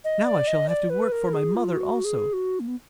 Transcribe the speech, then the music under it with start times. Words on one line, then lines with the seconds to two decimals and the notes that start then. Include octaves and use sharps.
Now I shall have to work for my mother also.
0.04 D#5
0.26 D5
0.47 D#5
0.69 D5
0.90 B4
1.12 A#4
1.33 G#4
1.55 F4
1.76 F#4
2.04 G#4
2.33 F#4
2.60 A#3
2.67 B3